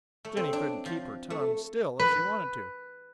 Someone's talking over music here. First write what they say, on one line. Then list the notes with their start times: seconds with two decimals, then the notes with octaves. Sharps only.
Jenny couldn't keep her tongue still if she wanted to.
0.25 A3
0.37 C4
0.53 D4
0.86 F3
1.30 A3
1.99 B4